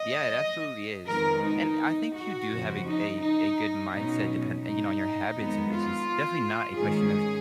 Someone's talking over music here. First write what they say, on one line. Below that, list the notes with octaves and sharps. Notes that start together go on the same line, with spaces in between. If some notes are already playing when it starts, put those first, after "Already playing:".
Yeah, it absolutely is, and I think you do have a g a a good mindset depend you know, on your habits this is definitely not a question of
Already playing: D#5
F2 D#3 G#3 B3 A#4
D#4
F#4
F2 C#3 F3
D#4
D#4
B2 F#3 C#4 D#4
D#4
F2 D#3 G#3 B3
F4
G#2 D#3 G#3 C#4 G#4